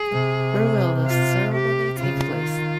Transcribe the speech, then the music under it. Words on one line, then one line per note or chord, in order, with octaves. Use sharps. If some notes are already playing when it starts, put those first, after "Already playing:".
Where will the ceremony take place?
Already playing: G#4
C3
F4
G4
C#3 F4
D#3